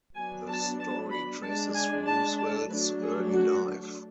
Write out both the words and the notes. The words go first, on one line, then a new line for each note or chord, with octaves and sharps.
The story traces Roosevelt's early life.
F#3 B3 D4 G#5
A5
A5
B5
G#3 D4 A5
G#5
A5
A5
F#3 A3 D4 B4
G#4
F#4